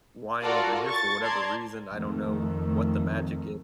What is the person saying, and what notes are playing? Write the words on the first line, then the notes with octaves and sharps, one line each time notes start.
wine over here, for whatever reason. I don't know what the magic i
F4 F#4 A4 A#4 D5
C#6 A6
D5 A5 A#5 C6 G#6
F2 D#3 A3